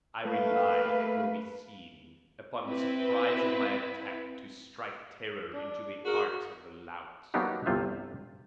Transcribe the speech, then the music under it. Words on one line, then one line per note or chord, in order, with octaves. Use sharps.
I relied, it will be seen, upon the surprise of my attack to strike terror into the hearts of the louts.
A3 A#3 B4 F5
C4 E4 B4
D4
F#4 G#4 A#4
F#3 A#3 B3 D4 D#4 G4
G1 C2 C3 F4 C5 E5